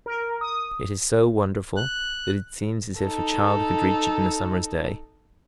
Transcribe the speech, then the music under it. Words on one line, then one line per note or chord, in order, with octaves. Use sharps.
It is so wonderful that it seems as if a child could reach it in a summer's day.
A#4
D#6
F#6
D#4 A4